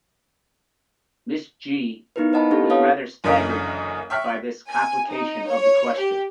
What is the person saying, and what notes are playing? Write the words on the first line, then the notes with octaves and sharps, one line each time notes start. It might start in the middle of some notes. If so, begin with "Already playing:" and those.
Miss G. was rather staggered by this complication of the question.
B3 D#4 E4 A#4 B4
C5 D#5 F#5 A5 B5
B3 C4 D4 E4 G4 A4
B4 C#5 F5 F#5 A5 D#6
F#1 F#2 D3 E3 A#4 D#5
E5 G5 C#6 F6 F#6 B6
G#5
D#4
C#5
G4